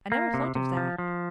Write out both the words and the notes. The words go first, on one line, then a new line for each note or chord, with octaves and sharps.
"I never thought of that."
A#3
C3
C3
F3
F3